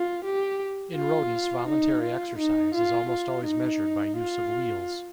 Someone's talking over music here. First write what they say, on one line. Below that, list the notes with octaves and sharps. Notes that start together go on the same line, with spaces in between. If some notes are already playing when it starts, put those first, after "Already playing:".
In rodents, voluntary exercise is almost always measured by use of wheels.
Already playing: F4
G4
F4
D#4
F4
D#4
F4
F4
D#4
F4